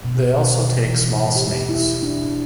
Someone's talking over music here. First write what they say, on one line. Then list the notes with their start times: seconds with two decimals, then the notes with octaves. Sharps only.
They also take small snakes.
0.04 B2
0.38 B2
0.71 E3
1.03 E3
1.36 G4
1.69 E4
2.03 D4